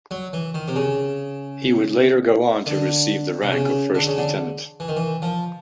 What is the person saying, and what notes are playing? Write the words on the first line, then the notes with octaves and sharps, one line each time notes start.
He would later go on to receive the rank of first lieutenant.
F#3
E3
D#3
C3
C#3
D3
C3
C#3
D3
C#3
D3
E3
D#3
E3
F3